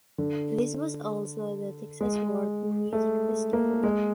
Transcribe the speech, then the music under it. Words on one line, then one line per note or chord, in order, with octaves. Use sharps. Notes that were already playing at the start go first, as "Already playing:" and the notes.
This was also the Texas World Music Festival.
D3
G#3
A3
A#3
G#3